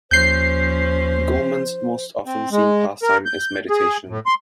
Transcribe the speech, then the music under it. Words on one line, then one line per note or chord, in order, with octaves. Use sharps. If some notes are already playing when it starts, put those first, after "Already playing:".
Goemon's most often seen pastime is meditation.
D#2 F3 C#4 C5 G6 C7
C4
G#3
A#4
G6
G#4
A2
C6